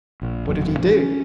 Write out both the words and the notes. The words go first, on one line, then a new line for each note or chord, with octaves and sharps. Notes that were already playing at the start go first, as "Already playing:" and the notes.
What did he do?
A#1 A#2
F#1 E2 F#3
A1 F3 D4
C#4